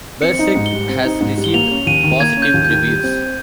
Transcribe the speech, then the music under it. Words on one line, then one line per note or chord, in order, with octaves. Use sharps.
Bersirc has received positive reviews.
C4 C#7
D#4
G#2
G7
G3
C4
D#4
G#2
G3
G7
A#3 F7
C#4
D#2 D#7
D#3
A#3 G#6
C#4
G6
D#2
G6
D#3
G3
C4